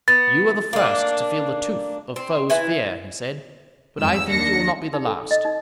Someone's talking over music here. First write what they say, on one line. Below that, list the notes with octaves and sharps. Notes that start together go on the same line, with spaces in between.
"You are the first to feel the tooth of 'Foes'-fear,'" he said, "but I think you will not be the last."
B3 A6
A#3 D4
C4
E3 E4 G#5
F2 G#2 E6
D#2 D4 A#6 C#7
D#4
A4
D#5
D#4